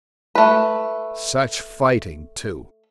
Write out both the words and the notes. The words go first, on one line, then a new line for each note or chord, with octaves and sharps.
Such fighting, too!...
A3 B4